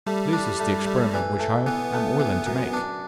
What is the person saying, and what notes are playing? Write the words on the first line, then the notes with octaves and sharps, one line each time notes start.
This is the experiment which I am willing to make.
G3 A3
D4
A3
A3
E3
A3
E3 B3
A3
E3
F#2
D4